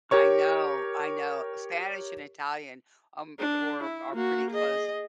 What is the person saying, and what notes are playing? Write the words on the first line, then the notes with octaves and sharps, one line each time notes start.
I know, I know, Spanish and Italian, um, v were are pretty close,
G4 A#4 C#5 C#6
D4
E4
A#3 F#4
G#4 D#5